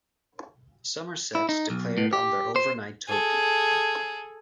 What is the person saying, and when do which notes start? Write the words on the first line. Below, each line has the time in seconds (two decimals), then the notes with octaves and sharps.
Somerset declared on their overnight total.
1.35 E4
1.49 D#4
1.70 B1
1.98 A2
2.13 G4
2.56 C5
3.08 G#4 A4